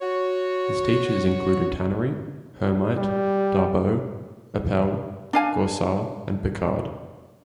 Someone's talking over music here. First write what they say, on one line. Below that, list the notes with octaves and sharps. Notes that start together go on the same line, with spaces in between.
His teachers included Tannery, Hermite, Darboux, Appell, Goursat and Picard.
F#4 C#5
G3
D4 F5 G#5